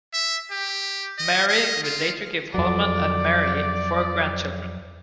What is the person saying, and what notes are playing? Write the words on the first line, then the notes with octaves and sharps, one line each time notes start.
Mari would later give Hulman and Mary four grandchildren.
E5
G4
D#5
D#5
F4
F2 F#3 D5